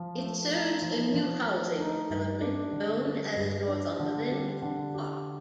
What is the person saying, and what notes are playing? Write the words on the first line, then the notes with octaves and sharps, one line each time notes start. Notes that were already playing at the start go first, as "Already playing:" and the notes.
It serves a new housing development known as Northumberland Park.
Already playing: F3
A3
D#4
F3
F3
A3
D#4
G2
D4
D3
G3
G2
D4
D3
G3
D3
G4